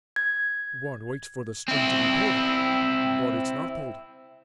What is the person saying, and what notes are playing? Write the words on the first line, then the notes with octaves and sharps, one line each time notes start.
One waits for the string to be pulled, but it's not pulled.
G#6
C4 E4